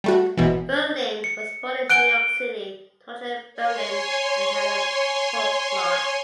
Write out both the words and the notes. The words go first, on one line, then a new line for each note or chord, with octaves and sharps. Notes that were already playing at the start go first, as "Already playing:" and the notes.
Berlind was born in New York City to Roger Berlind and Helen Polk Clark.
G3 A3 F#4
G#1 B2 E3
C#7
F#5 G#5 F#6 G6 D7 G7
C#5 G#5 C6